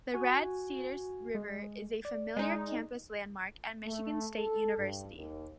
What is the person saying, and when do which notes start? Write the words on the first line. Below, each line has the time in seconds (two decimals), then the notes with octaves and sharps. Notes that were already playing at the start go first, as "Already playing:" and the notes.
The Red Cedar River is a familiar campus landmark at Michigan State University.
0.14 F#4 G#5
1.35 G#3
2.05 D5
2.36 G#3 D#4
3.86 A3
4.36 A4
4.77 G2
5.16 D#2